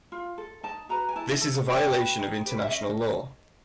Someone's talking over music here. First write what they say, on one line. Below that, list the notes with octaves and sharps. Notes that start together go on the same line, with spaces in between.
This is a violation of international law.
F4
A4
D#4 A5
F#4 B4 A#5
G#5
E4 A5
A4 A5
C#4 G5
F#4 B4
D#4
G4 B4
E5
C#4 D#5